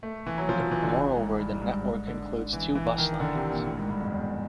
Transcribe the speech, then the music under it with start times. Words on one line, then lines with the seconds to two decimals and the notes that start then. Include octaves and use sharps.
Moreover, the network includes two bus lines.
0.03 A3
0.26 E3
0.38 F#3
0.49 F3
0.60 F3
0.71 E3
0.83 D3
1.16 G#2
1.39 G2
1.53 G#2
1.62 G2
1.84 G#2
2.07 D3
2.53 E3
2.75 E3
2.98 D#3
3.20 D3
3.35 C3
3.50 A#2
3.66 A2
3.77 G#2
3.89 G2
4.00 F2
4.12 E2